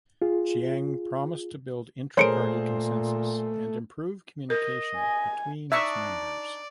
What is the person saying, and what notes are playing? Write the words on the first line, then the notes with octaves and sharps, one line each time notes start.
Chiang promised to build intraparty consensus and improve communication between its members.
F4 G#4
A#2 A3 G#4 A#4 C5 C#5 C#7 D7
A#4 D#5
G#5
D4 D#4 D5 E5 C#6